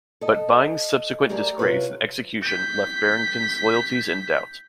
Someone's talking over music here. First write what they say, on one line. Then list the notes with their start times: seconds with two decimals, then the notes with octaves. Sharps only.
But Byng's subsequent disgrace and execution left Barrington's loyalties in doubt.
0.21 A4 D#5
1.29 A3 G4 G#4 A#4 D5 A#5
1.58 C3 F4 B4 C#5
2.42 G6 B6